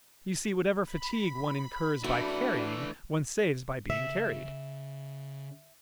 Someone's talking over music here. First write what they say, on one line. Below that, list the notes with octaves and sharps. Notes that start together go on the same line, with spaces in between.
You see, whatever fatigue one incurs by carrying, one saves by being carried!
B5
E3 A3 D4 F#4
C#3 E5